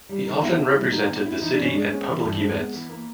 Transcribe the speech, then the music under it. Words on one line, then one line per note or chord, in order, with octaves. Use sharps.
He often represented the city at public events.
G3
D#3
B3 E4
E4
G3
D#3 D#4
B3
E4
E3 D#4
D4
G2 C#4
G#3 D4
B3 C#4
E3
G2
G#3 C4
B3
E3
A#3